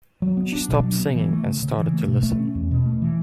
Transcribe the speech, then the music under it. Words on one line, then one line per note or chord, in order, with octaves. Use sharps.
She stopped singing and started to listen.
F#3
B3
D4
B2
F#3
B3
E3
A3
C#3
C#3
E3
A3
B2
A3
C#4
E2
B2
A3
E3